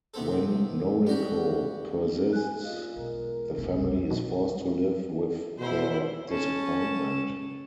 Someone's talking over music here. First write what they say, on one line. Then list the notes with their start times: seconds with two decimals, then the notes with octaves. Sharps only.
When Noriko persists the family is forced to live with their disappointment.
0.14 C3 B3 C4 A4
1.07 G3 F#4 G4
2.33 G#5 F#6
2.64 A#2 F4 D#5 F5
2.96 B1 E2 G#3 A#4
3.58 F1 C2 F2 B2 B3
4.11 B2
5.59 B2 E4 C5
6.28 C#4 A5